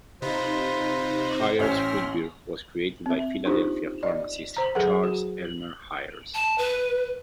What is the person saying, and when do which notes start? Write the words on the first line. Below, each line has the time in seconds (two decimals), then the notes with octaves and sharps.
Hires Root Beer was created by Philadelphia pharmacist Charles Elmer Hires.
0.22 C3 D#4 F4 B4 C5 A#6
1.59 A1 C#4 C#5 E5 G5 C6 F6 A#6
3.06 C4 E5
3.45 D4 D#4 F4 G4 C5
4.03 D5 D#5
4.57 C5 A#5
4.75 F#3 G#4 A4 B4 F#5
5.04 F#4
6.34 A5
6.58 B4